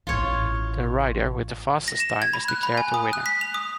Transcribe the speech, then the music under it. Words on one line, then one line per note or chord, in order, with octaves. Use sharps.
The rider with the fastest time is declared the winner.
A1 E4 F4 C#5
A#6
E7
G#6
B5
F#6
B5
G#5
D#6
F#6
B6
F7
D#6